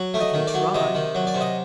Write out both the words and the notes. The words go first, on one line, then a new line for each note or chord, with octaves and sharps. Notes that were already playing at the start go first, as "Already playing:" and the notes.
"I can try."
Already playing: F#3
A3
D#5
D#3
D5
F#3
C3 D#5
D#3
F#3
D5
C3
D#5